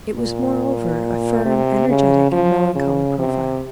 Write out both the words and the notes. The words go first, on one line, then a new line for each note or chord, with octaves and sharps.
It was, moreover, a firm, energetic, and melancholy profile.
A#2
C3
C#3
F3
C#3
C3